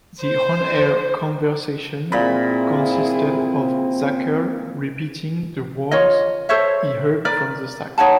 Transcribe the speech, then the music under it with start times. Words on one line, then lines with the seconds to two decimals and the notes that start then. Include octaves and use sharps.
The on-air conversation consisted of Zacherle repeating the words he heard from the sack.
0.20 C5
2.12 A#2 C4 E4 G#4 B5
5.91 F4 C#5 D#5
6.49 A4 C5 C#5 E5
7.25 A#4 B4 D5
7.98 D#4 C#5 F#5 A5